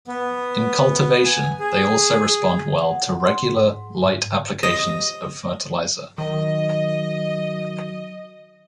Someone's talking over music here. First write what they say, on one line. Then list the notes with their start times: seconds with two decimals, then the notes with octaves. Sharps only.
In cultivation, they also respond well to regular, light applications of fertilizer.
0.08 B3
1.25 G#5
1.60 G#4
2.82 F#5
3.20 C6
3.50 G#2
4.63 D#5
6.18 D#3 F#3 D#5